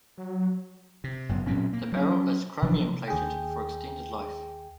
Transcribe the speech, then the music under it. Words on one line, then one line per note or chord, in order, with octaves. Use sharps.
The barrel is chromium-plated for extended life.
F#3
C3
F#1 F#2 B3
A#2 F#3 C4 C#4
A#3
F#3 C#4
C3 F3 F#3 D4
D#2 G#4 G5